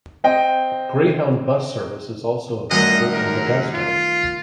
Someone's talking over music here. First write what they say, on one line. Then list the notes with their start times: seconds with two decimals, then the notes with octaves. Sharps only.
Greyhound bus service is also available in Modesto.
0.24 C4 D#5 G5
2.71 F#2 D#3 G3 A3 D#5
3.13 A#4
3.74 F4